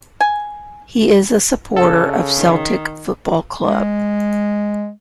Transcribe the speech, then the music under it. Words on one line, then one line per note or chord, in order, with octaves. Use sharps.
He is a supporter of Celtic Football Club.
G#5
C#3 A4
D#3
G#3